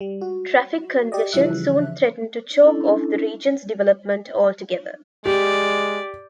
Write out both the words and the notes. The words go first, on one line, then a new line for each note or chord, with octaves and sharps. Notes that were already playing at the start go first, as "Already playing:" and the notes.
Traffic congestion soon threatened to choke off the region's development altogether.
G3
F#4
G4 D5 D#5
C#3 E3 F3 G3 E5 F#6
C#4 D4 E4 A4
G#3 G4 D5